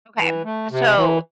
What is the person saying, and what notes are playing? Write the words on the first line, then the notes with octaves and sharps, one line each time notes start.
okay. So,
E3
A3
C3
E3